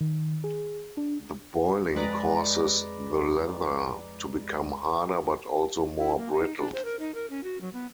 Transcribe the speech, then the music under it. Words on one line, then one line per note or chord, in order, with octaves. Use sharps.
The boiling causes the leather to become harder but also more brittle.
D#3
G#4
D4
F2 G#3 B4 D5 A#5
E4
A#3
D#4
D4
C5
A#4
D#4
A#4
C#4
F#4
F#3
B3